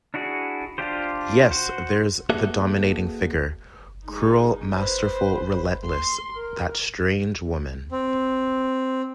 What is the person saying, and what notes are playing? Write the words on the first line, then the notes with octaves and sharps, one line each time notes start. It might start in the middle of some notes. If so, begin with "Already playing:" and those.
Yes, there's the dominating figure — cruel, masterful, relentless — that strange woman.
D4 E4 F#4 G#4
D4 F4 G4 C5
F#4 C5
A#3 F#4 G#4 A4 B4 E5
G#3 D#4
B4 C5
C6
A#4
C4